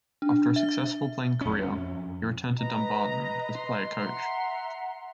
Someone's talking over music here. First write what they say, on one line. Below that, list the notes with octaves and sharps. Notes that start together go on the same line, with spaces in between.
After a successful playing career, he returned to Dumbarton as player-coach.
D4
E5
F2 C#4
B4 D#5 A#5
C6
E5 F#5 A#5